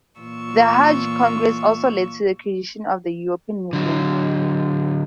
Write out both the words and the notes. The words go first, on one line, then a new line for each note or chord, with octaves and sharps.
The Hague Congress also led to the creation of the European Movement.
A#2 E3 F4 C#6 E6
D3 F#3